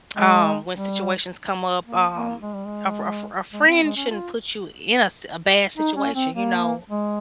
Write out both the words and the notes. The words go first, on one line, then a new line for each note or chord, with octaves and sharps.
um, when situations come up, um, a fri a fri a fri friend shouldn't put you in a s a bad situation, you know,
G#3
G3
A#3
A#3
G#3
G3
G#3
G#3
C4
G#3
C#4
F4
D#4
C#4
C4
A#3
G#3